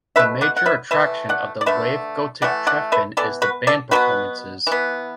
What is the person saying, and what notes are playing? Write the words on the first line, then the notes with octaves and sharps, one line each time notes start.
The major attraction of the Wave-Gotik Treffen is the band performances.
B2 A3 B4 E5
D5 F#5
F#5
B4 E5
E3 A3 B4 E5
D5 F#5
D5
D3 A3 B4 E5
E3 A3 D5 F#5
D5 F#5
B4 E5
E3 B3 A4 D5
F#4 B4
A4 D5
B2 F#3 B3 F#4 B4
E3 B3